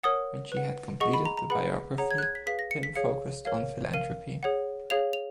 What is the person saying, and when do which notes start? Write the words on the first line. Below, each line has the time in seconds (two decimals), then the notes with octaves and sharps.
When she had completed the biography Pim focused on philanthropy.
0.03 A#4 C#5 F#5 D#6
0.52 B4 F#5
1.00 G#4 D#5 F#5 C#6
1.14 B5
1.25 A#5
1.37 A#5
1.50 G#4 B4 F#5 B5
1.98 G#4 C#5 F#5 A#5
2.11 G#6
2.18 F#6
2.23 G#6
2.35 B6
2.47 G#4 B4 F5 B6
2.59 A#6
2.71 C#7
2.83 B6
2.95 G#4 C#5 F5 C#7
3.45 A#4 C#5 F5
3.94 A#4 F5 D#7
4.43 G#4 C#5 F#5
4.90 G#4 C#5 F5 F7
5.13 F7